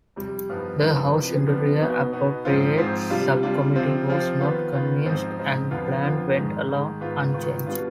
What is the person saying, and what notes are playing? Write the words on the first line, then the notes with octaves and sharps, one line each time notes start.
The House Interior Appropriates Subcommittee was not convinced, and the plan went along unchanged.
F2 C3 G3
G2 F3 B3 D#4
G2 F3 B3 D#4
C3 F3 B3 D4
C3 F3 B3 D4
B2 B3 D#4
B2 B3 D#4
G#2 F3 C4 F4
G#2 F3 C4 F4
C3 G3 D4 F4
C3 G3 D4 F4
C3 F3 C4 F4
C3 F3 C4 F4
D#3 B3 F4
D#3 B3 F4
G#2 F3 C4 D#4
G#2 F3 C4 D#4
F2 D3 F3 B3 F4
F2 D3 F3 B3 F4
G#2 D#3 G#3
G#2 D#3 G#3
G#2 D#3 B3 F4
G#2 D#3 B3 F4
B2 G3 B3 D4 F4